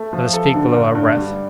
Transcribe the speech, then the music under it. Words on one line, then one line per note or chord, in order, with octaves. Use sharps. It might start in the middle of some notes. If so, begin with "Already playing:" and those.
"Let us speak below our breath."
Already playing: A3
F3
A4
D3
G2
G2
G3